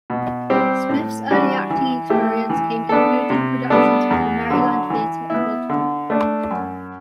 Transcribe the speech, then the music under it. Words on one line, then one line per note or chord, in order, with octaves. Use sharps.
Smith's early acting experience came included productions with the Maryland Theatre in Baltimore.
B2
G3 C4 G4
A2
E3 G3 D4 F#4
E3
A3 E4 G4
E3
B3 D4 A4
C3
G3 B3 D4 A4
E2
D3 F#3
E3
B3 E4
D3
A3 D4
F#2